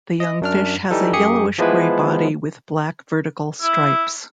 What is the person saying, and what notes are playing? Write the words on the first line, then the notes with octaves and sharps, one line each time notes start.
The young fish has a yellowish gray body with black vertical stripes.
D#5
F#2 D4 F6
E3 G3 D#4 A4
F#2 G4 G#4 D#6 C#7
E3 F3 G#3 B3 E4 B4
E4